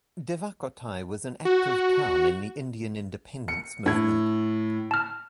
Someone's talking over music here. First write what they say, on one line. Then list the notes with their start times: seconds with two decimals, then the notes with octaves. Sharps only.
Devakottai was an active town in the Indian Independence Movement.
1.45 F#4
3.48 C#7
3.86 A2 D4 G#6
4.91 A5 F6